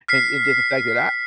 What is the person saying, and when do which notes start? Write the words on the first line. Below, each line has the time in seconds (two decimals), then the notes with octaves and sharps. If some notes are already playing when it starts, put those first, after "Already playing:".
and and just the fact that I
0.08 F6 B6 C7